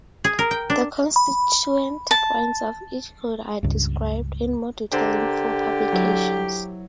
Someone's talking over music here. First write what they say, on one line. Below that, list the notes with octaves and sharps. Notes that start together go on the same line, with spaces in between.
The constituent points of each code are described in more detail in full publications.
G#4
A#4
G5
D4
B5
A5
C#2 G2
D3 G4 A#4 C5
F#3 E4